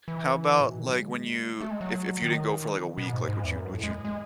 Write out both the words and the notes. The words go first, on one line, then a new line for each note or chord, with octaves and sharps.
How about, like, when you, if if you didn't go for like a week, like, would you, n would you
E3
A2
B2
D#3
F#3
G#3
A3
G#3
F#3
D#3
B2
G#2
G#2
E2
F#2
A2
G#3
G#3